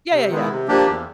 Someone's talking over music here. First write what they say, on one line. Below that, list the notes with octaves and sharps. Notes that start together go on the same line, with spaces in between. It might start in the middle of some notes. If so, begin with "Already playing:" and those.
Yeah, yeah, yeah.
C3
D#3 G#3 B3 E4
C3
F3 A#3 D4 G4
E2